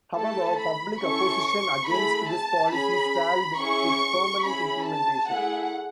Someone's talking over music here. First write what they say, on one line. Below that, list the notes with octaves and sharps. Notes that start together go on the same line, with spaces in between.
However, public opposition against this policy stalled its permanent implementation.
A3 E4 A4 A5
B5
C#4 E4 A4 C#6
A3 E4 G#4 B5
A5
C#4 G#4 B5
C#4 E4 G#4 C#6
C#4 E4 G#4 B5
A5
A3 E4 G#4 F#5